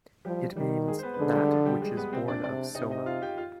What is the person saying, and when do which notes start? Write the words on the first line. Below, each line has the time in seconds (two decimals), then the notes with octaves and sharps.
It means "That which is born of Soma".
0.25 F3 G3 G4
0.56 D#3 G3 G4
0.87 G#3 G#4
0.99 C5
1.03 B3 B4
1.14 B4
1.18 D3 G#3 G#4
1.35 G3 G4
1.50 F3 F4
1.65 G3 G4
1.82 G#3 G#4
1.97 B3 B4
2.12 C3 C4 C5
2.28 D4 D5
2.44 C3 D4 D5
2.75 C3 D#4 D#5
2.91 D#4 D#5
3.06 F4 F5
3.22 G4 G5
3.37 F4 F5